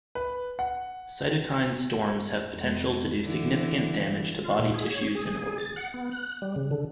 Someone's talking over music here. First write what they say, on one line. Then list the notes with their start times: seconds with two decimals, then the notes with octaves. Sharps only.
Cytokine storms have potential to do significant damage to body tissues and organs.
0.15 B4
0.59 F#5
2.54 F2 G#3
3.23 D3 E3
4.44 F4
4.59 A#2
4.74 G#4
4.90 C#5
5.15 G#4
5.58 A6
5.76 F#5
5.94 B3
6.12 F#6
6.42 G3
6.56 C#3
6.71 D3